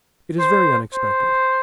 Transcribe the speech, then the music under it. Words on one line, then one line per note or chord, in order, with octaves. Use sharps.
It is very unexpected.
C5
C5